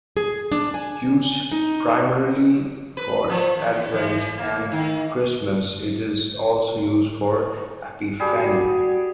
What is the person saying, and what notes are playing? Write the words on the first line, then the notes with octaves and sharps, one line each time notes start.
Used primarily for Advent and Christmas, it is also used for Epiphany.
G#4
D4
G#5
D#4
B4
F3
E2
E3
A#3
D#3
G3 F#4 G#4